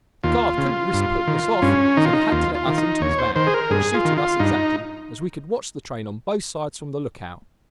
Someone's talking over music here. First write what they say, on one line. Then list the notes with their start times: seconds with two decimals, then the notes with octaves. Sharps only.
The guard couldn't risk putting us off, so he had to let us into his van, which suited us exactly, as we could watch the train on both sides from the look-out.
0.23 D#2 F4
0.58 C#3
0.93 G2
1.27 D#3
1.62 G2 C#4
1.97 D#3 D#4
2.05 F4
2.13 D#4
2.32 D#2 F4
2.55 F4
2.66 D#3
2.78 D#4
3.01 D#2 C#5
3.19 C5
3.35 D#3 C5
3.47 G#4
3.54 A#4
3.70 G2 G#4
3.94 F4
4.05 D#3
4.18 F4
4.40 G2 D#4